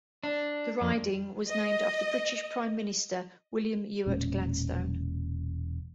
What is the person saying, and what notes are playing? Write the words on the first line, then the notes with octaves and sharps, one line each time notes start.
The riding was named after British Prime Minister William Ewart Gladstone.
D4
F2
D#5
E1 A#2 G#3 C#4